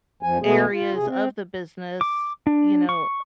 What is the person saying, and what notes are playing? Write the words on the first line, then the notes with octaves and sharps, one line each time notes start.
areas of the business, you know,
F2 F3 G#5
B2 A3 B3 G#4
F4
C3 G#4
C4
D6
D4
C#6